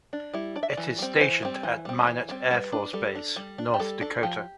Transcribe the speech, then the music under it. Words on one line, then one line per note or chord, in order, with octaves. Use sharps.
It is stationed at Minot Air Force Base, North Dakota.
D4
G3 E4
D4 D5
E5
D5
E3
G3 C4
B4
E3 C5
G3 C4
E3
G3 C4
E3
G3 C4
G3 B4
D4
G3 A4
D4
G3
D4
G4
G3 A4
D4 A4
F3 G4